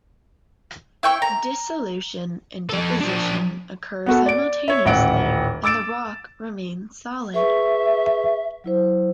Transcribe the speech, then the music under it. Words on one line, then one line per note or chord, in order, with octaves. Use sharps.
Dissolution and deposition occur simultaneously and the rock remains solid.
E4 G5 C#6
A#5
F3 A4
F3 D4
B3 F#4 A4
D5 D7
C#5 E5
D#1 A1 E5 F#5 D7
D6 E6 A6 D7 E7
G#4 B4 E5 C#6
F#3 E4 C5